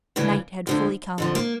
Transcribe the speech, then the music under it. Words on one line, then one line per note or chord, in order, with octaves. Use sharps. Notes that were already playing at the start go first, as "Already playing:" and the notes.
Night had fully come.
D2 C#3 E3
D2 D3 F3
F2 D3 F3
A#3